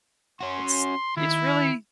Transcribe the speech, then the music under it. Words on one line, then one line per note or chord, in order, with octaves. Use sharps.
It's it's really
C#4 F#4 C6
D#2 E4